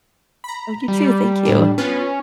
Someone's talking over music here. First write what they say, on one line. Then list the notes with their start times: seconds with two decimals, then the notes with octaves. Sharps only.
Oh, you too, thank you.
0.44 A#5 B5
0.88 G3
1.45 A2 D4
1.78 B3 C#4 F4 B4